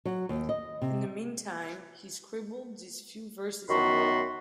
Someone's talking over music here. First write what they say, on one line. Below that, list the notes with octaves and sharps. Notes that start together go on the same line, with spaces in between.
In the meantime, he scribbled these few verses on them.
F#3
D#2
D#5
C3
F#2 D#3 B3 F#4 B5 C6